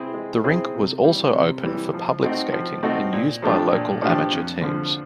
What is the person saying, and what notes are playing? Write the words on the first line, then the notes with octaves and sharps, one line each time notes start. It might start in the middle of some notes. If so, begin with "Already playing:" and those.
The rink was also open for public skating and use by local amateur teams.
Already playing: C4 E4 G#4 C5
G#3
C4 E4 G#4 C5
C3
E3 G3
C3
E3 G3
F3
A3 C4 D#4 F#4
F3
A3 C4 D#4 F#4
A#2
F3 A3 D4 G4
A#2
F3 A3 D4 G4
F2
D3 F3